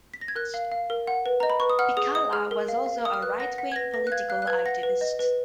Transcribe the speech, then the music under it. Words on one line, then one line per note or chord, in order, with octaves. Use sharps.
Pihkala was also a right-wing political activist.
B6
A#6
G#6
A#4 F#6
F5
F5
A#4
F#5
B4
D#5 A#5
B5
B4 C#6
D#6
F#5 F6
G#4 D#6
D#5 D#6
G#4 F6
A#4
F5
F5
A#4 D#6
F6
B4 F#6
F#5 A#6
F#5 B6
G#6
B4 A#6
B4 A#6
F#6
F5 G#6
F5 F#6
F#6
B4 G#6
F#5 A#6
B4
D#5
B4